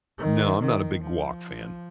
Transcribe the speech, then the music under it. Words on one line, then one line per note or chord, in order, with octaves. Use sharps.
No, I'm not a big guac fan.
D#3
D#3
F3